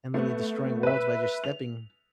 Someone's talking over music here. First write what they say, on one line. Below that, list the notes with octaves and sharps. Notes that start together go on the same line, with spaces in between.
and literally destroying worlds by just stepping.
A3 B3
B4 E5
F7